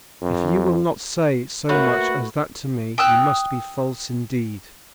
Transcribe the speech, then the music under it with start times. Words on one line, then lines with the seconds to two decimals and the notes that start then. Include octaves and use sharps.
If you will not say so much as that to me you must be false indeed.
0.22 F2
1.69 A3 A#3 F#4 B4 C#5
2.98 G5 D#6 E6 F#6